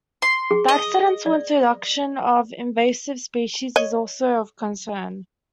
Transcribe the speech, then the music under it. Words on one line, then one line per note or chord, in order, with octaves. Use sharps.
The accidental introduction of invasive species is also of concern.
C6
G#4
D#5
D5
C#5 D#5